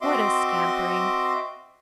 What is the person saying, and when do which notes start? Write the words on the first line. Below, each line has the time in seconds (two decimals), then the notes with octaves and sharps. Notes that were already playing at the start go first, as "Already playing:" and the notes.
What a scampering!
0.01 C4 F#4 D#5 E5 C6 D6